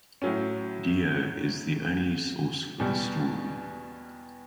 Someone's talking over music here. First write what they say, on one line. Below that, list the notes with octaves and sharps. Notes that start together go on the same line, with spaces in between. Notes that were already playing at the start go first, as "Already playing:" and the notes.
Dio is the only source for the story.
A2 F#3 C#4
E2 B2 G3